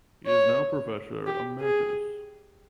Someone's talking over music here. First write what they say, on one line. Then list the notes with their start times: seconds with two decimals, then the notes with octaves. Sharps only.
He is now Professor Emeritus.
0.26 C#5
1.26 G4
1.60 G#4